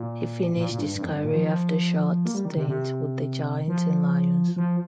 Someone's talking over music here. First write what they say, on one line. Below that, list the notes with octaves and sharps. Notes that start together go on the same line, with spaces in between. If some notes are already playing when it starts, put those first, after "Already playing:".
He finished his career after short stints with the Giants and Lions.
Already playing: A#2
A#2
A#2
G2
G2
F2
G2
A#2
F3
F3
A#3
G3
D#3
C3
C3
F3
F3